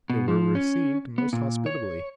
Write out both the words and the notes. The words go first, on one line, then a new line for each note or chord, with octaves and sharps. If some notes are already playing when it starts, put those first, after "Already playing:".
They were received most hospitably.
B2
F3
C#4
B3
A#2
C#5